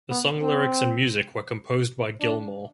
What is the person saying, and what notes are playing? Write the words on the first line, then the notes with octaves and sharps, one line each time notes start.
The song lyrics and music were composed by Gilmour.
B3
C4
D4